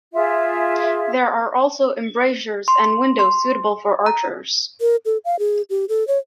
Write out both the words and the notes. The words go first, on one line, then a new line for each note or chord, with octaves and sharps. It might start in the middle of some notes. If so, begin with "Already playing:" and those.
There are also embrasures and windows suitable for archers.
F4 G#4 E5
C6
C6
A#5
A#4
A4
F5
G#4
G4
A4
C#5